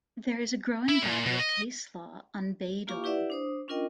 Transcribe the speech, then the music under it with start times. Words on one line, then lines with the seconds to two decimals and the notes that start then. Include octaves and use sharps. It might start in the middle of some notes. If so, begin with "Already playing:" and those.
There is a growing body of case law on Bayh-Dole.
0.89 E4
1.02 A#2
1.26 B2
1.40 D#5
2.87 A#3 F4 G4 F5 C#6 D6
3.04 E4 G4 B4 D5 E5 F#5
3.30 D4 C5 D#6
3.68 C#4 D4 F4 A#4 D#5 G5